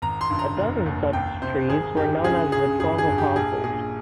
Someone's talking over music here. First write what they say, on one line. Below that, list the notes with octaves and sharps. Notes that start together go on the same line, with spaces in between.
A dozen such trees were known as the Twelve Apostles.
G#1 A#5
C6
G2
A#5
F1
D#2
C2 G5
C3 C5
G#1 G#4
G2 G4
C#2 G#4
C#3 G#4
G1 G#4
G#4
G2
G4
A#1 G#4
A#2 G#4